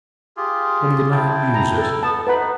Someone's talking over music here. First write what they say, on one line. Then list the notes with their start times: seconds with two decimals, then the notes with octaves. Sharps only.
One of the nine Muses.
0.37 F4 G4 G#4
1.12 E4 G5 A5
1.54 A#5
1.78 A4
2.03 B3 A5
2.27 D#4 B4 F#5 B5